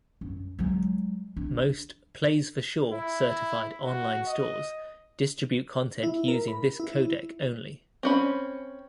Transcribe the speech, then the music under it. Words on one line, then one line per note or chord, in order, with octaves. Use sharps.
Most PlaysForSure-certified online stores distribute content using this codec only.
F#2
F#3 G#3
D4
E4
F#4
D#5
E4
A#4
B5
E4
C4 C#4 B5